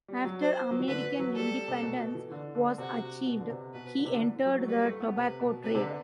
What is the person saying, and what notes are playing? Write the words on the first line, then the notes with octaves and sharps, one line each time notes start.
After American independence was achieved, he entered the tobacco trade.
G3
F#3
C5
F#3
E3
D3 B4
E3
F#3
G3 A4
G3
C3
B2
B2
E3
D3
D3
C3 F#4
B2
D3
C3
B2 B4
D3
C3
D3
E3
F#3
A3
G3 B4
A3
B3
C3 B4
B2
C3 B4
C3
D3